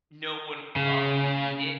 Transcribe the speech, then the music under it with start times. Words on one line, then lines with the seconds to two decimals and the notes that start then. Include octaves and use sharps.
no one would probably eat it.
0.76 C#3